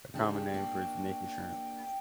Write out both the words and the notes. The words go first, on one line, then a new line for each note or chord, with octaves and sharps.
A common name for it is nika shrimp.
C#3 D4 G4 G5
A#3 D4 F#4